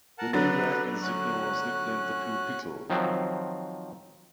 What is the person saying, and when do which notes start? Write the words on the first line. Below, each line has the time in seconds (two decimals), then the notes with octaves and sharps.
The new rank insignia was nicknamed "the blue pickle".
0.18 A#4 F#5 A5
0.33 D3 F#3 B3 B4 A6
1.02 C#4 F#4 F#6
2.90 D#3 F3 F#3 C4